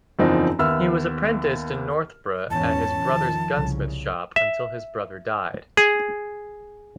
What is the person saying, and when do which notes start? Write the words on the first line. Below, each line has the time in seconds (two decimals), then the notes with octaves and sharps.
He was apprenticed in Northborough at his brother's gunsmith shop until his brother died.
0.19 F#1 E2 F3 C4 D#4
0.59 D#2 B3 E5 E6 F6
2.50 E2 G#2 C#4 A5
3.04 D#3 F3
3.56 C2 C#3
4.36 E5
5.77 G#4